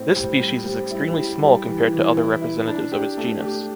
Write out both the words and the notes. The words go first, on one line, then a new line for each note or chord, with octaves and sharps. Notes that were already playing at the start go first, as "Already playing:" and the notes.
This species is extremely small compared to other representatives of its genus.
Already playing: A2 C4
G3
C4
G3
E4
G3
G3
E3
E3
E4
E4
D4
G4
A3
G4